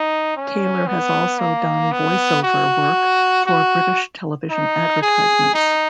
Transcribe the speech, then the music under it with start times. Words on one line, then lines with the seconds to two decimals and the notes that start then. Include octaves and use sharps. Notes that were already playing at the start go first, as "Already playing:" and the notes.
Taylor has also done voiceover work for British television advertisements.
Already playing: D#4
0.36 C#4
0.87 B3
1.39 A#3
1.92 B3
2.43 F#4
3.46 F#4
4.50 D#4
5.02 G#4
5.54 D#4